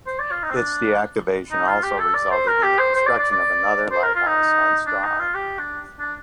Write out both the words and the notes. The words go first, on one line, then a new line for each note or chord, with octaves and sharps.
Its deactivation also resulted in the construction of another lighthouse on Straw Island.
C5
D5
F4
D#4
C4
D4
D#4
F4
G4
A4
D5
C5
A#4
G4
C5
C5
D5
D5
D5
C5
A#4
F4
D#4
D4
D#4
F4
G4
D4
D4